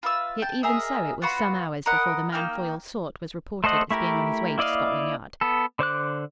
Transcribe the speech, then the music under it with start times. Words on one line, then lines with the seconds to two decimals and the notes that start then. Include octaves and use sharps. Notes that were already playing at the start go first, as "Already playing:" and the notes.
Yet, even so, it was some hours before the man Foyle sought was reported as being on his way to Scotland Yard.
0.03 F4 B4 E5 E6
0.42 G5 A5
0.63 G#4 A#4 D#5 E5
1.22 B3 F4 F#4 B5
1.86 A#4 D#5 F#5 B5
2.32 A#3 D#4 G5 F6
3.64 A3 A4 C5 D#5 F#5
3.91 A3 E4 G4 A#4
4.58 A#3 E4 D5 D#5 F5
5.41 B3 A4
5.79 D3 C5 D6 F#6